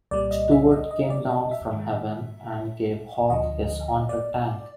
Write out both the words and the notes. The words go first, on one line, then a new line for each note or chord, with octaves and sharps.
Stuart came down from Heaven and gave Hawk his Haunted Tank.
C2 A#2 G3 D5
D#5
E5
D#5
D#5
D5
D#5
E5
G#2 D#3 G#3
D2 D3 F3 D#5
D5